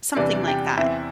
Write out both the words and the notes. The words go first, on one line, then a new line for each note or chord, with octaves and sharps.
Something like that.
E2 C3 E3 G3 D4 D5
G4 G5
E2 E3 C4 E4 E5